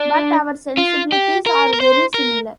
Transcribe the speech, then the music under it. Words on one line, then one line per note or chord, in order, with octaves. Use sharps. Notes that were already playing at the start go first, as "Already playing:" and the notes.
But our sensibilities are very similar.
Already playing: D4
F4
G4
A#4
A#4
C5
A#4